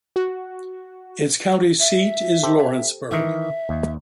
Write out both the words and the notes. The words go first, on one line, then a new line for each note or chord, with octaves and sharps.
Its county seat is Lawrenceburg.
F#4
E5
G4 A4 C5
D#3 E3 E5
D#2